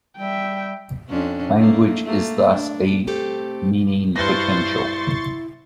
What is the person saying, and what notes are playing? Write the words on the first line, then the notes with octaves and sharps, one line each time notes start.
Language is thus a "meaning potential".
G3 E5 G5
F2 C#4 D4
A3 A#3
A3 A#3
D4
A3 C4 G4 A4
G2 E4 B4 C5 C6 C#6 A6 A#6